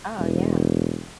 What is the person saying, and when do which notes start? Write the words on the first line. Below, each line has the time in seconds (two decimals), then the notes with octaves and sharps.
Oh, yeah.
0.19 E1